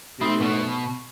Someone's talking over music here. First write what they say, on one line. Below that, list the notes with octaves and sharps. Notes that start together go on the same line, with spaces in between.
they, uh
A3 C4 D#4 B5
B2 C#6